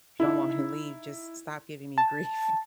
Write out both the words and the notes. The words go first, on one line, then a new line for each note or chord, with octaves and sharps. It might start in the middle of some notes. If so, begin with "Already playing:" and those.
"If you don't want me to leave, just stop giving me grief
D#4 E4
A5